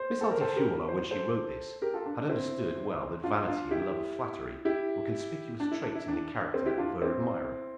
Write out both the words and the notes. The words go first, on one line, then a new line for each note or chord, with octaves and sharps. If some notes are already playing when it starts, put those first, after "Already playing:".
Miss Altifiorla when she wrote this had understood well that vanity and love of flattery were conspicuous traits in the character of her admirer.
Already playing: C5
A4
A#4
A4 C5
G4 A#4
C5
A4 C5
G4 A#4
F4 A4
D4
D4
C4 E4
D4 F4
D4 F4
E4 G4
E4 G4
D4
E4
D4
E4
D4
C4
E4 G4
D4 F4
C4 E4